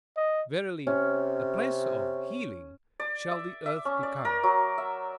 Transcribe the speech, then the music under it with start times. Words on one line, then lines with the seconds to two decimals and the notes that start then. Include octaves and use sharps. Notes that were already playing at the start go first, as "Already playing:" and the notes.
Verily, a place of healing shall the earth become!
0.16 D#5
0.87 C3 C#4
3.00 D5
3.31 E5
3.66 E5
3.85 C#4
4.03 D5
4.25 A#4
4.43 F#3
4.78 E5